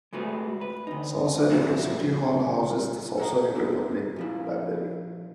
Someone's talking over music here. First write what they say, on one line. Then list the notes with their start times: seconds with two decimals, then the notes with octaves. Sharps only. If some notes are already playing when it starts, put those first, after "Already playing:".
Sausalito City Hall houses the Sausalito Public Library.
0.13 G#3 A3 F#4 B4
0.61 B4
0.87 D2 D#4
1.49 A#2 F3 D#4 E4 F#4
3.18 A4 F#5 A#5
3.55 D#4 A4
4.16 A#2 F3 E4